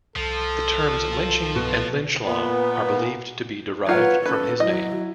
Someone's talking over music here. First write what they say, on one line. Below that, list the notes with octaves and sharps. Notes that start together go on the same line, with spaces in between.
The terms "lynching" and "lynch law" are believed to be derived from his name.
C2 F3 A4
B2
A#2 B3
F#3 F4 B4 C#5 F#5
C#4 A4 B4
F#3 E4 D#5